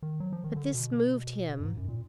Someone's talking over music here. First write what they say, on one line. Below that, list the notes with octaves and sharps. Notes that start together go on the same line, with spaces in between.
But this moved him.
D#3
F#3
F3
D#3
D3
B2
F#2
G#2
F#2
A#2